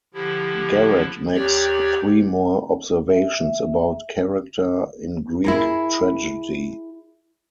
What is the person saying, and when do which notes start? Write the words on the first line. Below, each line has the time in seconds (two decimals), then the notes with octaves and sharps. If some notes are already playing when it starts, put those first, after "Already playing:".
Garet makes three more observations about character in Greek tragedy.
0.14 D3 F3 E4 G4
1.34 D#2 G4 C#5 D5
3.10 E5
5.44 E4 G#4 A#4